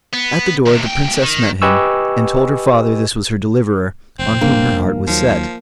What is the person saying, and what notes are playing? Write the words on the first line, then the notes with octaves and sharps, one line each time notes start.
At the door the Princess met him, and told her father this was her deliverer, on whom her heart was set.
B3
D#2 C3
A#2 G5
D#3
G4 B4 D#5 G#5 C#6 E6
F1 C4
F1 G2 A#3 D4
D#2 D#3 F3 F#3